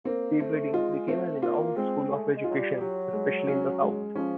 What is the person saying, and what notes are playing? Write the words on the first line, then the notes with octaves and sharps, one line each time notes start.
Peabody became a renowned school of education, especially in the South.
A#3 C4
A3 C4
G#3 F4
A3 C4
A#3 F4
G#3 C4
A3 G#4
G#3
F#3 F4
G3
F#3 G4
G#3
C#4
G#3
F3 C#4